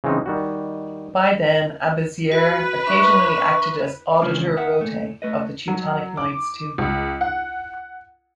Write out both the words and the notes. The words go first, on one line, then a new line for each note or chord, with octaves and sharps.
By then, Abezier occasionally acted as "Auditor Rotae" of the Teutonic Knights too.
C#3 E3 G#3 C4 D#4
D#3 G3 F#4
F#4 B4
D4 E5 C#6
C#3 E3 F3 G#3 D4 F4
D#3 E5 F#5
A#2 A3
A3 B4 D#5
F#3
D6
C#2
F#5